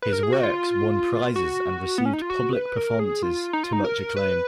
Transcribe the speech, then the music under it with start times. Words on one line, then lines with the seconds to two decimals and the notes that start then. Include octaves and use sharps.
His works won prizes and received public performances to much acclaim.
0.02 B4
0.13 A#4
0.23 G#4
0.33 F#4
0.43 F4
1.36 F#4
1.98 B3
2.05 C#4
2.13 D#4
2.22 F4
2.30 F#4
2.53 B4
2.76 A#4
2.99 G#4
3.23 F4
3.53 D#4
3.63 F4
3.73 D#4
3.84 A#4
4.16 B4